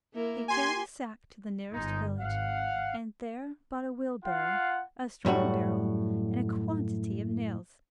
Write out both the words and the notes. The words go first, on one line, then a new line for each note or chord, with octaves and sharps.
He carried his sack to the nearest village, and there bought a wheelbarrow, a strong barrel, and a quantity of nails.
A#3 E4 A#4
G4 G#5 C6
G1 G#3 D#4
G#1 F5 F#5
F4 F5 F#5
F#2 A2 G3 F#4